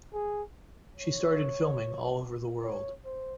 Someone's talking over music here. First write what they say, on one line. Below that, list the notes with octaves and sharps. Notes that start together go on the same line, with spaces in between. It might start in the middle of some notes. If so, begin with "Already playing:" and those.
She started filming all over the world.
G#4
C#5
C#5
C5